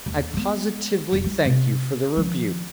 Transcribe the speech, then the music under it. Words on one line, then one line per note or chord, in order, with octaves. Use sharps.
I positively thank you for the rebuke.
D#2
G#3 B3
F1 D3
G3 E4
C3
D#3 F3